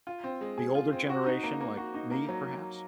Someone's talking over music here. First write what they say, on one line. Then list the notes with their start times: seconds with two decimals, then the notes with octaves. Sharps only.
the older generation, like me, perhaps?
0.07 F4
0.24 C4
0.41 G#3
0.58 G#4
0.75 F4
0.92 C4
1.09 F#4
1.26 D#4
1.43 A#3
1.61 A#3
1.77 F#4
1.95 D#4
2.11 A#3
2.29 F#3